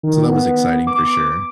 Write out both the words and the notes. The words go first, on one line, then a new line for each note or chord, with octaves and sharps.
So that was exciting, for sure.
D#3
B3
D6